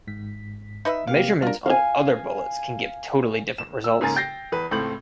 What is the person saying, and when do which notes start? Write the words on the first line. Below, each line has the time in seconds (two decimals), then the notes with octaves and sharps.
Measurements on other bullets can give totally different results.
0.07 G#1 G#2 B6
0.85 D#4 B4 E5
1.07 C3 A#3 G4 F5
1.42 G3 D4 F4 A#4
1.66 F5 G#5
3.58 E7
3.84 E6
4.01 G#2 C#3 A#3 G#5 A#5 A6
4.16 G5 G6 A6 A#6 C7
4.52 E2 B4
4.71 C#2 A2 A3 C4 G6 F#7